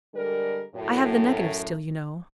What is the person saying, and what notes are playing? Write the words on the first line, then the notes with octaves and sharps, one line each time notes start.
"I have the negative still, you know."
D3 G3 G#3 A4 A#4
F#2 A2